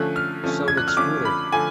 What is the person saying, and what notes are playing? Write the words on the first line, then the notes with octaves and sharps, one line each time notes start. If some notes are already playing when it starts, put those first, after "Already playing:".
So did Scudder.
Already playing: D3 F3 A3 C#4 F#6
F6
D3 F3 A3 C#4
G#6
F#6
F6
D3 F3 A3 C#4 D6
B5
D3 F3 A3 G#5